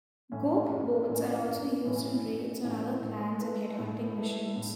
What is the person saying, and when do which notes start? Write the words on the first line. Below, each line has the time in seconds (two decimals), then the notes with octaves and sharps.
Gope boards are also used in raids on other clans and headhunting missions.
0.32 A2 E3 C#4
0.70 A1
1.09 A2 E3 C#4
1.47 A1
1.86 A2 E3 C#4
2.25 A1
2.63 A2 E3 C#4
3.01 A2
3.40 A3 E4 B4
3.79 A2
4.18 A3 E4 B4
4.56 A2